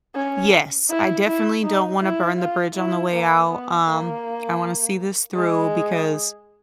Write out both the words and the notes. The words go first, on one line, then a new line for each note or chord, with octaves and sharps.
Yes, I definitely don't wanna burn the bridge on the way out, um, I wanna see this through, because
C#4
E4
E4
D#4
E4
F4
E4
A#3
B3
A#3
G#3